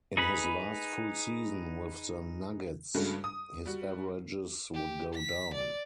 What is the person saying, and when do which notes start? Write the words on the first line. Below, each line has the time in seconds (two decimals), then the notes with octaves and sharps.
In his last full season with the Nuggets his averages would go down.
0.17 D#4 G#4 B4 B5
2.95 G2 C#3 G#3 A3 F#4
3.24 D#6
3.66 G3 F#4
4.74 G4
5.14 B6
5.54 D5